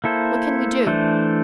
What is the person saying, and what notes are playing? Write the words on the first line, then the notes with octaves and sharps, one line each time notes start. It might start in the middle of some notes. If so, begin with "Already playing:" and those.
What can we do?
A#3 E4 A4 C5
E3 A3 D4 A4 C5